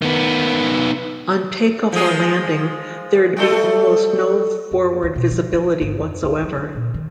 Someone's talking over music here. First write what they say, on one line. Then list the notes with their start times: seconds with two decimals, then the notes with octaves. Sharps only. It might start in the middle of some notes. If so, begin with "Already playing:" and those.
On takeoff or landing, there'd be almost no forward visibility whatsoever.
0.02 D#3 B3
1.92 F3 G#3 G#4
3.37 G3 A3 A4
4.71 F#2
5.03 D2
5.15 B2
5.31 F3
5.53 F3
5.81 G#1
6.00 F2
6.23 C#2
6.43 F#3
6.57 D3
6.75 A#2
6.94 D#3